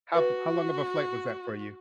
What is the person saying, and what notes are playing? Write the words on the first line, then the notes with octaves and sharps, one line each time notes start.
How how long of a flight was that for you?
F#4 B4